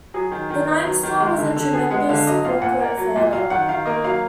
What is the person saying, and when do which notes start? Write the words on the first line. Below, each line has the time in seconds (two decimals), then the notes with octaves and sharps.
The Nike store was a tremendous corporate failure.
0.14 F#3 G#4
0.31 D#3
0.50 D#3
0.68 B3
0.84 F#3
1.03 D#3
1.20 G#3
1.38 D3
1.56 D3
1.73 B3 G#4
1.91 G#3 F#5
2.09 D3 F5
2.27 F#3 D#5
2.45 A#2 F5
2.61 A#2 F#5
2.80 A#3
2.98 F#3
3.16 A#2
3.33 F#3 F5
3.50 D#3 F#5
3.68 D#3 F5
3.86 A#3 D#5
4.04 F#3 F5